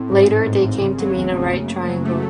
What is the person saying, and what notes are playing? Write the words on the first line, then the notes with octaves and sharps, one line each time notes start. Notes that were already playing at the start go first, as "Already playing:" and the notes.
Later, they came to mean a right triangle.
Already playing: A2 C4
G#2
G#2
G#2
G#1
C#3 C4
F#3 B3
E2 A3
C#3 B3
A3
F#2 A#3
F#2
F#3
A3